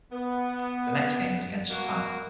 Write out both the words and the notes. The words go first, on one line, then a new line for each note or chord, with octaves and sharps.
The next game was against Japan.
B3
B2 A#3 F#4